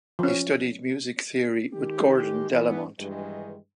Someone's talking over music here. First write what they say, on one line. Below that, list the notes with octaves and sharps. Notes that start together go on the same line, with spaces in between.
He studied music theory with Gordon Delamont.
F3 C#4
D#3 G#3 G4
E3 B3
G2 D#3 E3 G#3